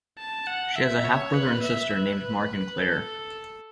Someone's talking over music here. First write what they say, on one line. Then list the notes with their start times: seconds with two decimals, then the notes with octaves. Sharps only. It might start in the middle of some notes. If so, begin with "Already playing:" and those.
She has a half-brother and -sister named Mark and Claire.
0.18 A5
0.47 F#5
0.76 E5
1.04 C#5
1.33 B4
1.62 E5
1.91 B4
2.77 A4